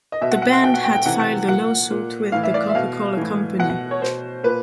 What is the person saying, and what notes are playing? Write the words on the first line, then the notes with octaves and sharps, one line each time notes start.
The band had filed a lawsuit with the Coca-Cola company.
D#5
B2 E5
F#5
F#5
F#5
B2 G5
F#5
G5
G5
C3 E3 F#5
F#5
A#2 F#5
A#2
A2 E3 F5
E5
D5
E5
B2 F5
A2 E3
B2 F#5
F#5
C#5
B2 C5
A#2 B4